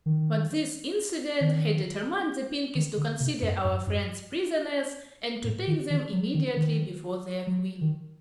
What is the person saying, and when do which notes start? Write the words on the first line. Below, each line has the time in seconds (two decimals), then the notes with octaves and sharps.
But this incident had determined the Pinkies to consider our friends prisoners and to take them immediately before their Queen.
0.06 D#3
1.41 D#3
2.75 D#3
2.98 D3
3.20 C3
3.42 G2
3.65 G2
3.87 G2
5.44 A2
5.67 D#3
5.90 D#3
6.12 F#3
6.34 D#3
6.57 D#3
7.47 F#3
7.81 D#3